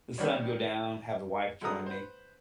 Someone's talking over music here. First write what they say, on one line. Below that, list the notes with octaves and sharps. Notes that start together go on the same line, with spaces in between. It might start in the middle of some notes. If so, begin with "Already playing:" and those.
the sun go down, have the wife join me,
D#3 G3 A#3 B3 C#4 D4
F#2 G#3 A4 A#5 D#6 F#6
B4 C5